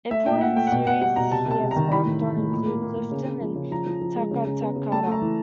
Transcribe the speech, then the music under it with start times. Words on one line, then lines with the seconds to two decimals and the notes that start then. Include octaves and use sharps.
Important series he has worked on include "Clifton" and "Taka Takata".
0.11 A3 E5
0.26 A#2 G5
0.41 A#2 F#5
0.56 A3 G5
0.67 F#5
0.72 B2 G5
0.86 B2 F#5
1.01 G3 F#5
1.16 B2 A#5
1.31 C3 A5
1.46 C3 A5
1.61 C3
1.71 A#5
1.76 D#3
1.91 E3 B5
2.06 A2
2.21 E3
2.37 A2
2.51 A#2
2.66 A#3
2.82 A#3
2.96 A#3
3.11 C#3
3.26 C#3
3.41 F3
3.56 C#3
3.71 F3 A#5
3.86 F3
4.01 F3
4.16 G#3
4.31 C#3
4.47 C#3
4.62 B3
4.76 C#3
4.92 A3 A5
5.07 A3 A#5
5.22 E3